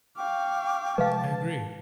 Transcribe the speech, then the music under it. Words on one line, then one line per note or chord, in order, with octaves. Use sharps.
I agree.
F5 G5 C#6 D6
C3 F3 G#3 B4 F5 A5